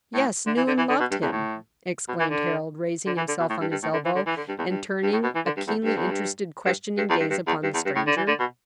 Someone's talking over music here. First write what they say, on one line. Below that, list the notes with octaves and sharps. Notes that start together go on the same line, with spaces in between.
"Yes; knew and loved him!" exclaimed Harold, raising himself on his elbow, and turning a keenly interested, questioning gaze upon the stranger.
A2
D3
E3
D3
E3
D3
B2
G2
E2
A2
B2
E3
D3
D3
E3
D3
B2
A2
G2
G2
A2
D3
E3
D3
E3
D3
G2
E2
G2
G2
A2
B2
E3
D3
G2
E2
G2
E2
G2
G2
G2
E2
G2
G2
E2
G2
E2
G2
A2
D3
E3
D3
B2